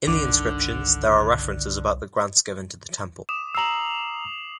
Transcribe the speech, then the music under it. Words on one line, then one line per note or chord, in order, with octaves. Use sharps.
In the inscriptions there are references about the grants given to the temple.
G1 C2 D3 D#3 D4 D6
D6 D#6 E7
A#5 E6 C7 F7 F#7